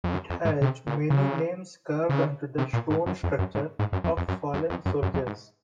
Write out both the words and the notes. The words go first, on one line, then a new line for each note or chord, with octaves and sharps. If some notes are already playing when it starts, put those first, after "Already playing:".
It has many names carved onto the stone structure, of fallen soldiers.
F2
F#2
F2
G#2
C3
A#2
C#3
C#3
C3
A#2
G#2
F#2
F2
F#2
G#2
G#2
F#2
F2
F2
F#2
F#2
F2
F#2
F#2
F2
G#2